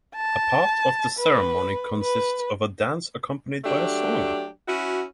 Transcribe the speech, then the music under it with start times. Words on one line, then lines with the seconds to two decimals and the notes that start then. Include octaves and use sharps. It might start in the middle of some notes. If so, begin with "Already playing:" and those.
A part of the ceremony consists of a dance accompanied by a song.
0.15 A5
1.19 B4
2.03 B4
3.65 F#3 A3 D4 G4
4.68 C#4 E4 F#4